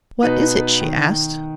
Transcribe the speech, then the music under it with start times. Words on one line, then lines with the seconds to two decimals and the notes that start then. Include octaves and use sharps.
"What is it?" she asked.
0.23 B2 B3 D#4 B4
0.81 D#3